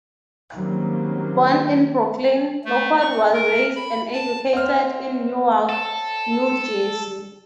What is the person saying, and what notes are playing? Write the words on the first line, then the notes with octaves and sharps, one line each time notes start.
Born in Brooklyn, Lockwood was raised and educated in Newark, New Jersey.
D#3 F#3 G3 A#3 C4 C#4
A3
C#6
A#4
B5
A5
C4 C#5 E5 F#5 F6
A4